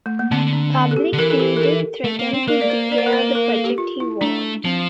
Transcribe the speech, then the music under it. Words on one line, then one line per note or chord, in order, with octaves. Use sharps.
Public feuding threatened to derail the project, he warned.
A3
A#3
D3 C4
D4
C4
A4
G4
D3
E3 A#4
A4
G4
A#4
A4
A3
A#3
C4
A#3 A#4
D5
C5
D5
C5
A#4
C5
A#4
A4
G4
F4
E4
A3 D4
F3 C4